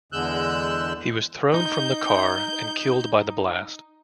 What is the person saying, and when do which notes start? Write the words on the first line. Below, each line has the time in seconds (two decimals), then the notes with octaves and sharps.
He was thrown from the car and killed by the blast.
0.12 E2 D3 G#3 E6 F#6 G6
1.54 D#4 G6